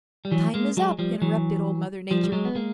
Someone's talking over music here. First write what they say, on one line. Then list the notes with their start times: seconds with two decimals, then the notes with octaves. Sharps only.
"Time is up," interrupted Old Mother Nature.
0.25 G3
0.32 E3 F#3
0.54 G#3 A#3
0.77 F#3 G#3
0.99 F3 G3
1.22 E3 F#3
2.11 F3 G3
2.24 G3
2.32 F#3 G#3
2.45 B3
2.55 G#3 A#3